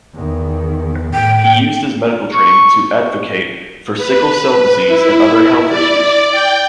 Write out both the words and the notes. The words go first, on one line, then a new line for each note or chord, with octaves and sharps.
He used his medical training to advocate for sickle-cell disease and other health issues.
E2 D#3
A2 G5
C#6
B4
E4
D5
G5